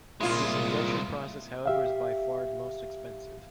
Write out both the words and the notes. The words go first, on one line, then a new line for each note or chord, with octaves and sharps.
This injection process however is by far the most expensive.
C2 A#2 G#3 E4 F4
G4 E5 F5